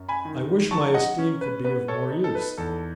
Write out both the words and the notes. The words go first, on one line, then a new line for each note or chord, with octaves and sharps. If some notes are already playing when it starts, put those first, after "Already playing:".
I wish my esteem could be of more use.
Already playing: F#2
G#5 B5
D#3
F#3 A5 C#6
D#5 F#5
C#4
B4
B3 B4
A4 C#5
D#4
A4
B4
E2 A4